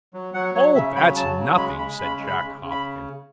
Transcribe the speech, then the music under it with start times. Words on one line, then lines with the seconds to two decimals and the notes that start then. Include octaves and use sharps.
'Oh, that's nothing,' said Jack Hopkins.
0.14 F#3
0.34 F#3 F#5
0.55 F#3 C#5
0.75 C#3 E5
0.95 F#3 B5
1.16 F#3 A5
1.37 C#3
1.57 G#3 B5
1.78 G#3 B5
1.99 C#3 B5
2.19 G#3
2.26 B5
2.40 C#3
2.61 C#3
2.71 B5